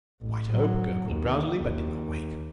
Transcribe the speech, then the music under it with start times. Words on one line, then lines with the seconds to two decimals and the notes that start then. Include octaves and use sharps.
The White Hope gurgled drowsily, but did not wake.
0.21 A1
0.51 F#3
1.08 D#2
1.57 D#2